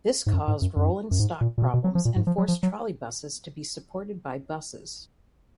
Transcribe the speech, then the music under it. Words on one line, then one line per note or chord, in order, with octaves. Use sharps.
This caused rolling stock problems and forced trolleybuses to be supported by buses.
G#2
F#2
G#2
F#2
F#2
F#2
G#2
A#2
A#2
B2
B2
F#3
F3
A#2
G#2
F3
F#3
F3
F#3